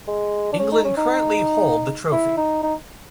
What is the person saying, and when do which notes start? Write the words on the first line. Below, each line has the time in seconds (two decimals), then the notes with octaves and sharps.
England currently hold the trophy.
0.07 G#3
0.53 D4
0.59 C#4
0.72 D#4
0.84 C#4
0.97 D#4
2.12 E4
2.37 D#4
2.63 D#4